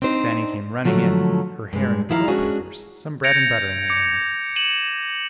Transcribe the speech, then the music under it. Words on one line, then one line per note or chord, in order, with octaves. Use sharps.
Fanny came running in, her hair in curl-papers, some bread and butter in her hand.
C4 D4 D#4 C5
G#2 D3 F3 F#3 G#3 A3
G2 G#3
D#3 F3 E4 G#4 F5 A#5
G#3 C#4 D4 F#4 G#4
G6 G#6 A#6 C#7 D7 F7
D6 C#7
C#7 D#7 E7 F#7